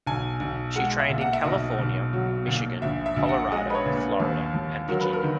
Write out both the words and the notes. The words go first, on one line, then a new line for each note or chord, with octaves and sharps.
She trained in California, Michigan, Colorado, Florida and Virginia.
B1 G#5
B1
G#3 F#5
E5
A#2
F#5
E5
B1 D#5
B1
F#3
A#2
A#1 E5
E5
A#1
F#5
G#3 D#5
B4
C#5
A#2
B4
D#2
D#2
F#3 A#4
B4
A#4
D#3